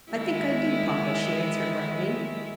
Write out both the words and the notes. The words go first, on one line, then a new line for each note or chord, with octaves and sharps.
"I think I do, papa," she answered, brightening.
D#3 G#3 E4